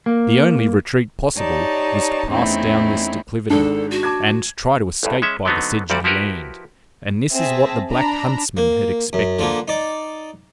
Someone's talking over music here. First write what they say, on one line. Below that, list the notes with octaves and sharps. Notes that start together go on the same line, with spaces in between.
The only retreat possible was to pass down this declivity, and try to escape by the sedgy land, and this is what the Black huntsmen had expected.
A#3
D#4 G4 C#5 D5 A5
E2 A3 C4 C#4 D#4 E4
G#1 G#2 D4 A4
F#4
A5 D6 G#6
A1 E2 G2
G#3 C#4 E5
D3 F#3 B3 C4 D#4
D2 A#2 G3 F#4 D5
F3 E4 F#4 G4 A#4 B4
C4 G#4 E5 A5 A#6
D4 A#5 B5
A#3
F#2
D3 F3 A#3
D#4 D5